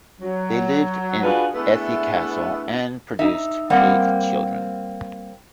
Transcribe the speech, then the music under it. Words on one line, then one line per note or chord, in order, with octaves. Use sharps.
They lived in Ethie Castle and produced eight children.
F#3
D4 F4 F#4 G#4 B4
A3 B3 D4 E4 G#4 B4
D#4 E5
G3 A#3 C4 F#5